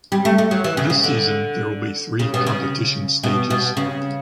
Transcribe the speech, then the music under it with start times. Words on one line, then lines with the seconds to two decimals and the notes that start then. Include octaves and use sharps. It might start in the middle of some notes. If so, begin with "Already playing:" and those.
This season there will be three competition stages.
0.12 G3
0.25 A3
0.38 A3
0.51 F#3
0.64 E3
0.77 C#3
0.90 C#3
1.04 D3
2.19 C#3
2.34 B2
2.47 C#3
3.23 B2
3.50 B2
3.77 C#3